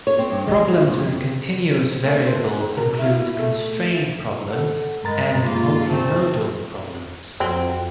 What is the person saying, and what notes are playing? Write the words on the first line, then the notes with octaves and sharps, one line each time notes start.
Problems with continuous variables include constrained problems and multimodal problems.
C#5
C4
G2
G#3
G#3
E2
F2
D#3 A3
D3 C4
B2 A#4
E4 F#4 F5
A3
A4 F#5
G2 G#3 A#4 A#5 B5 A6
C3 F#3 G#3 A#3 F4
E2 A#2 A3 C4 A5
F2 F#3 C4